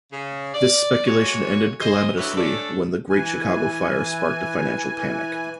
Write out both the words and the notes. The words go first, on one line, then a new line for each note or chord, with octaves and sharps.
This speculation ended calamitously when the Great Chicago Fire sparked a financial panic.
C#3
D5
G#3 A#3 F#4 C#5
G#4 C5 D#5
D2 F#3 E4 G4 B4 C#5
A3 C#4 D4 A4 D5
E3 G#5